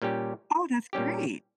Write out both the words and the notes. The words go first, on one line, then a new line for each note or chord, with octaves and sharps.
Oh, that's great.
A#2 G3 C#4 G4
A#2 G3 C#4 G4